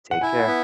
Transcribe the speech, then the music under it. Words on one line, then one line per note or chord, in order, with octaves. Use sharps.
Take care.
F#5
E4 G#5
F#5
B3